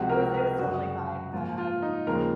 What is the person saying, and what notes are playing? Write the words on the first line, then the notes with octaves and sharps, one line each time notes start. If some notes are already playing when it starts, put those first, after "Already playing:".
it was it was totally fine, but, um,
Already playing: C#2 C3 F3 G#3 F#4
A#4
A#4
F#2 C#3 G#3 F#4
G#2 F3 A#3 F4
F4
D#4
D#2 C#3 F3 G#3 A#4